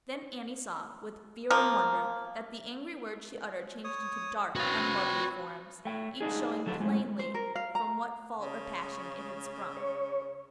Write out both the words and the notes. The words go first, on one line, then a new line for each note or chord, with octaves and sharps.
Then Annie saw, with fear and wonder, that the angry words she uttered changed to dark, unlovely forms, each showing plainly from what fault or passion it had sprung.
F3 A#3
C#5 D#6
C4 F#4 B4 C#5 F5
A3 G5
D4 D#4 G#4
D3 F#3 A4
A2 G#3
C5
A#4
F5
A#5
C#3
C#5